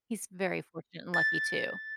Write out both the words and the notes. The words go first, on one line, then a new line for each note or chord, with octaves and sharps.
He's very fortunate and lucky, too.
A6